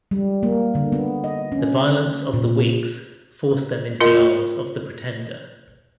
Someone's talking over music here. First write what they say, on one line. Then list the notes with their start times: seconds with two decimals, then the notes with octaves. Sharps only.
The violence of the Whigs forced them into the arms of the Pretender.
0.11 G3
0.43 A#3
0.75 D3
0.92 B3
1.24 D#5
1.52 C#4
2.34 A#2
4.00 F4 A#4 D#5